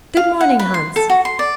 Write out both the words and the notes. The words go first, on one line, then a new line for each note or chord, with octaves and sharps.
'Good morning, Hans.
F5
F#5
B4
C6
A4
F#4
C6
D5